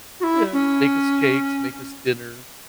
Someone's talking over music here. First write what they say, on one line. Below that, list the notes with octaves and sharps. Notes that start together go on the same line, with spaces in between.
Yeah, make us cakes, make us dinner,
F#4
E4
C#4